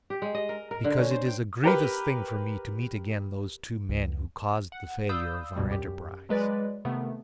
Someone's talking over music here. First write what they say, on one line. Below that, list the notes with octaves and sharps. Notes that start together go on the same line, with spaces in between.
"Because it is a grievous thing for me to meet again those two men who caused the failure of our enterprise."
G4
G#3
D#5
A#4
A#4
D3
C#4
C5
G5
G4 A#4 B4
C#2
F#5
D5 F5 B5 D#6 E6 G6
C#2 G2 B2 G3
F#2 G4
F#3 G#3 B4 D5
C3 D#3 A3 B3